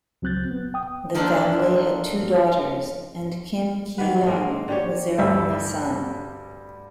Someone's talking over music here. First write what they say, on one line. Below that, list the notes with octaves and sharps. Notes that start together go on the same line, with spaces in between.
The family had two daughters, and Kim Ki-young was their only son.
C#2 F#3 C4 F#6 G6 A6
B3
G5 D#6
D#3 F3 A#3 C4 D4 A4
D#3 A#3 B4 F#5
G#3 A#3 C4
D3 G4 C#5 D5
D2 G2 G3 E5